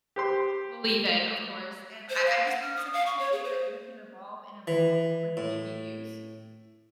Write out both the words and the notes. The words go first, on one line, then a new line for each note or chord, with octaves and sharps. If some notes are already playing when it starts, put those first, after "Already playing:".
believe in, of course, and I I just think that's such a cute way that you can evolve and evolve, like, community views.
G4 C5 C6
C5
F5
F#5
F6
D#6
F5
C#6
C#5
G#4
C5
E3
A2